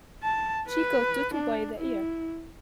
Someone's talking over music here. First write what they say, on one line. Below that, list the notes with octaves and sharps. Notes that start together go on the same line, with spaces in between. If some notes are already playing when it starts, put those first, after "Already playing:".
She caught Toto by the ear.
A5
B4
D4
E4